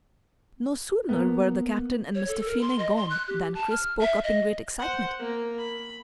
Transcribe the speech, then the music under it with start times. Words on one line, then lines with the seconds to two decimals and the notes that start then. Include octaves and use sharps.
No sooner were the Captain and Mr. Finney gone than Chris spoke up in great excitement.
1.09 A#3 B3
2.15 C#5
2.28 A4
2.46 A#4
2.61 C6
2.79 D#5
2.97 C6
3.10 F#6
3.28 G4
3.54 A5
3.70 F6
4.00 E5
4.24 D#5
4.80 C5 F#5
5.19 A#3
5.58 B5